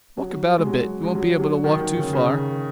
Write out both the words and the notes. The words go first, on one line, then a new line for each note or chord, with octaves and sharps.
Walk about a bit, you won't be able to walk too far.
F#3
G#3
F#3
G#3
F#3
F#3
D#3
D#3
C#3
C#3
D#3